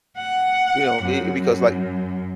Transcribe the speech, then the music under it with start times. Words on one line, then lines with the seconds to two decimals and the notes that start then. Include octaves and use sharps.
You know? B because, like
0.17 F#5
1.02 F#2